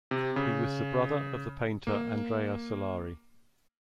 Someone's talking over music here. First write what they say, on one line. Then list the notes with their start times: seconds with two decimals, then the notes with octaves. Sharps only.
He was the brother of the painter Andrea Solari.
0.11 C3
0.36 C#3
1.87 A#3